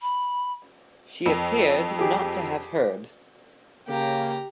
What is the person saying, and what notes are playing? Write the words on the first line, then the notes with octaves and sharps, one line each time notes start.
She appeared not to have heard.
B5
F2
G4 G#4
C#3 A#3 G4 A#5